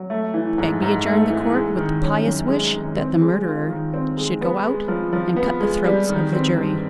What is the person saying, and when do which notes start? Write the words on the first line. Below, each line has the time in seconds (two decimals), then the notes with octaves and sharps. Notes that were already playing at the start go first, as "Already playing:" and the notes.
Begbie adjourned the court with the pious wish that the murderer should go out and cut the throats of the jury.
Already playing: F#3
0.10 A3
0.34 E3
0.58 G#2
0.82 G#2
1.06 A3
1.30 E3
1.54 G#3
1.77 D#3
2.01 C#4
2.25 F#2
2.49 G#3
2.74 D#3
2.97 C4
3.21 G#3
3.45 F4
3.69 D#3
3.94 C4
4.17 G#3
4.41 B3
4.65 G#3
4.88 F3
5.13 F3
5.36 B3
5.60 G#3
5.84 G3
6.09 D#3
6.33 C4
6.57 G2